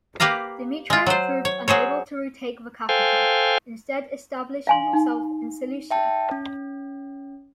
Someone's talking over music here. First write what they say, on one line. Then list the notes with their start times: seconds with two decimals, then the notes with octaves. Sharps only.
Demetrius proved unable to retake the capital, instead establishing himself in Seleucia.
0.20 A#3 G4 B4 F5 A#5
0.90 G#3 F4
1.06 F#3 C5
1.45 C#5
1.68 F#3 G#4 C5 C#5
2.89 A4 C5 F5 G5 G#5
4.67 F5 G#5 C6
4.93 D#4
5.91 E5 G5 A5
6.31 C#4